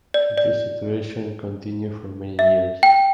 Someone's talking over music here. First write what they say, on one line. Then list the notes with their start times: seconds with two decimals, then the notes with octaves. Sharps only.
This situation continued for many years.
0.14 D5
0.38 D5
2.39 E5
2.83 G5